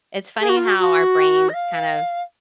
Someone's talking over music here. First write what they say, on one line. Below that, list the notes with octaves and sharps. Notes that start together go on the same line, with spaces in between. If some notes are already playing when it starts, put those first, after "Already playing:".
It's funny how our brains kind of
G#4
F#4
F4
F#4
F#4
D#5
F5